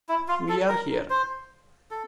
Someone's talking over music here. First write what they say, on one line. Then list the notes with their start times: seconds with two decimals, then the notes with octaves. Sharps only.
We are here.
0.09 E4
0.28 F4
0.49 A4
0.69 A#4
1.10 C5
1.91 A4